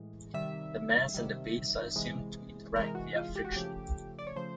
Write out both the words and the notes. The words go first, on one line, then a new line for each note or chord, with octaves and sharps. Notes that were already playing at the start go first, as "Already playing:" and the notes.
The mass and the base are assumed to interact via friction.
Already playing: A2 E3 G#3
C3 D#3 G3 E5
C3 D#3 G3
C3 E3 G#3
C3 E3 G#3 A#4
F#4
F4
G4
F#4
C#3 F3 A3 G4
D5
C#5
C#3 F3 A3 C5